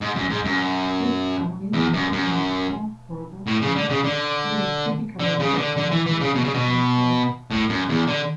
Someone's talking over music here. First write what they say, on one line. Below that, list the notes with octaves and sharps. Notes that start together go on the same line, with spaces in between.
His family, including a half-brother, Clint, live a typical life on the Texan frontier.
G#2
F#2
G#2
F#2
E2
F#2
F#2
A2
C#3
D3
C#3
D3
D3
C#3
E3
D3
D3
E3
E3
C#3
B2
C#3
B2
A2
F#2
E2
D3